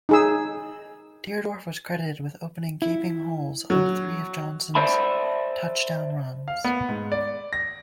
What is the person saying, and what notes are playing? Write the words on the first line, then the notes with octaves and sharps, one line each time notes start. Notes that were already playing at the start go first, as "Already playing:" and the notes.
Dierdorf was credited with opening gaping holes on three of Johnson's touchdown runs.
D#4 G#4 E6
E4
F#3
C5 D5 E5 A5 B5
F5
B3
G#2
D5
A#6